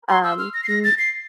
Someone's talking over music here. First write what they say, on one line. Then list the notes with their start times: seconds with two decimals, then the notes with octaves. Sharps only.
um, m
0.09 C6
0.24 E6
0.39 F6
0.54 A#6
0.64 C7
0.69 A#6
0.84 A6
0.99 C7